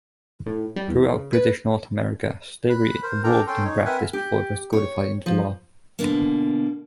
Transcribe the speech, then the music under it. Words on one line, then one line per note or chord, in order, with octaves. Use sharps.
Throughout British North America, slavery evolved in practice before it was codified into law.
A2
G3
E2
C#3
B4
B5 F#6
A#4 C5
D4 A4 A#4 G5 A#5
C#4 A4 G5 C6
D#4 C#5
C4 A#4 B4 E5 F#5 G#5
G4
C#5
F3
B2 D3 A#3